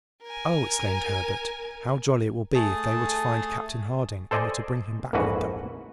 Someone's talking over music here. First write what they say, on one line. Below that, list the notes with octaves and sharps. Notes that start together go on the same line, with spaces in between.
"Oh!" exclaimed Herbert, "how jolly it will be if they were to find Captain Harding and were to bring him back with them!"
A#4 G#5
A3 G#4 A5 D#6
A4 C5 D5 D#5 G#5
A#1 F2 G#2 E3 F#4 B4